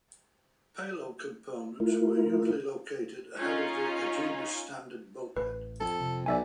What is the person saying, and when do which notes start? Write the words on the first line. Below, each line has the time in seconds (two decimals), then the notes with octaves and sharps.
Payload components were usually located ahead of the Agena's standard bulkhead.
1.80 A3 E4 F4 A#4
3.37 C#4 D#4 F4
5.37 A1 B4
5.80 F2 A4
6.00 C3
6.26 B1 D5 E5 G#5